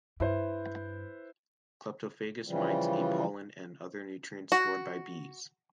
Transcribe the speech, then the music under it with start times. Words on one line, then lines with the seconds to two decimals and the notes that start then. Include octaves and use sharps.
Cleptophagous mites eat pollen and other nutrients stored by bees.
0.20 G2 E4 B4 C5
2.46 C#3 E3 F3 G3
4.52 F#4